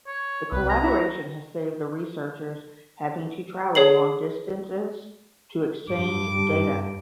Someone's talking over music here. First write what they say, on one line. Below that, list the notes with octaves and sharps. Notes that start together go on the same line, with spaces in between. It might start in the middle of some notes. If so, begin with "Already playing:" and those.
The collaboration has saved the researchers having to travel long distances to exchange data.
C#5
C2 B4
A#5
E4 F#4
G#4 C#5 C7 F#7
G2 D6